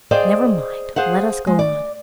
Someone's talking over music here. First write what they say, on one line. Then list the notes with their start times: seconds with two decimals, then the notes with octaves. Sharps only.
"Never mind; let us go on."
0.11 G#4 C5 D5 D#5 F5 G5
0.96 G#4 C5 F5 F#5
1.47 G#3
1.59 D5